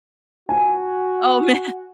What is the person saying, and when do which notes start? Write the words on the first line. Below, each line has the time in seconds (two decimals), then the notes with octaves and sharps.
Oh, man.
0.49 F#4 G#5